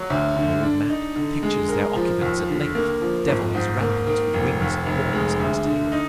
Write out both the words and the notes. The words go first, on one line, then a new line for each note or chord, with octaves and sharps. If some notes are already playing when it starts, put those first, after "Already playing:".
An old map pictures their occupants at length,--devils rampant, with wings, horns, and tail.
Already playing: F#3
D2
D3
D4
D#4
D3
G#3
A#4
F3
D#2
D3
A#3
F3
G#1
G#2
A#3
D#3
F1
D#2
F1
G#3
D2
D3
D#4